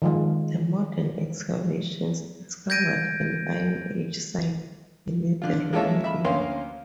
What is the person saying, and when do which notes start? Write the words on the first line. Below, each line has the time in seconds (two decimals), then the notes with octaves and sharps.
The modern excavations discovered an Iron Age site beneath the Roman villa.
0.02 D#3 F3 G#3
2.70 G6 G#6 A#6 D7 D#7
5.42 D3 F4
5.73 G#3 A#3 F4 A4 C#5 E5
6.04 E5 B5
6.24 D2 A#3 C#4 F5 C6